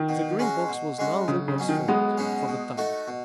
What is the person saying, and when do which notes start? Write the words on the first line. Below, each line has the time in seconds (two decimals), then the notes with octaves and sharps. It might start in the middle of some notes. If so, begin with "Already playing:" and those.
The Green Box was none the worse for it, for the time.
Already playing: D#3
0.09 B2
0.39 G#3 C#4 F#4
0.69 B2
0.98 G#3 C#4 F#4
1.28 B1 C#3
1.48 C#3
1.58 B2 F#3 C#4
1.69 D#3
1.88 B1 G#3 B3
2.18 B2 F#3 C#4
2.48 B2
2.78 A3 D#4 F#4
3.08 B2